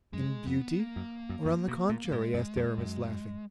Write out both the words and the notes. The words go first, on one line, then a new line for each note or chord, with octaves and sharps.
"In beauty or on the contrary?" asked Aramis, laughing.
F#2 G#3
F2 B3
A#3
F#2
F#2
F2
B2
A#2
A#3
G#2 G#3
F#2
F2
F#2